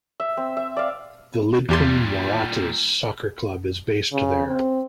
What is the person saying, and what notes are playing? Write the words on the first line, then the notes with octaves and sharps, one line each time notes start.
The Lidcombe Waratahs soccer club is based there.
E5
C4
E5
D5 F5
E2 A#2 G3 G4 C6
C#3
C4